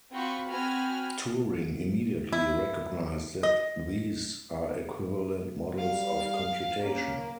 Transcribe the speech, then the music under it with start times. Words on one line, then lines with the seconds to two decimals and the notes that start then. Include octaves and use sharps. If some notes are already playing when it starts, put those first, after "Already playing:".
Turing immediately recognized that these are equivalent models of computation.
0.13 C4 F4 F#4 B5 C#6
0.50 C4 F#4 G#5 B5 F6
2.32 E4
3.43 D#5
5.79 G3 F5
6.82 A#3 C#4